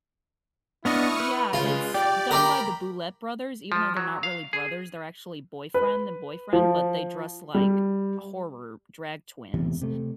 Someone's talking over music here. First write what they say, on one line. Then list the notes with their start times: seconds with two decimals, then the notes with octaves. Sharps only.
Yeah, it's done by the Boulet Brothers, even though they're not really brothers they're actually boyfriend and boyfriend, but they dress like horror drag twins.
0.85 B3 D4 E4 D#5 C#6 D#6 F6
1.20 B4
1.53 C#3 G#3 F4
1.94 G4 D5 G5
2.31 A#4 D5 G5 A#5 B5
3.72 F3
3.97 F#3
4.23 F5
4.53 G#4
5.74 B4
6.53 F3
7.54 G3
9.54 E1 A1 E2 C3
9.82 C3 A3